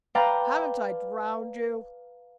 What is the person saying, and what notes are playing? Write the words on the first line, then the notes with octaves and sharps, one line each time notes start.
'Haven't I drowned you?'
B4 D5 F5 G5 A5 A#5